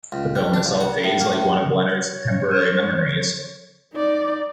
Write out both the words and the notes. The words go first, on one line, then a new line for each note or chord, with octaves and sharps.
The film itself fades like one of Leonard's temporary memories.
C#2
G3
D4
C2
F#5
A2
A#3
A2
C#5
D#4 D5